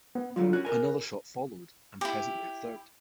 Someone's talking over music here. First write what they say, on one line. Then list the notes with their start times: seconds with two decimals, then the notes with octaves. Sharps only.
Another shot followed and presently a third.
0.15 B3
0.36 D3 F#3 G3 F4
0.53 C#4 F#4 F#6
0.65 A#4 G#5
2.01 E4 G4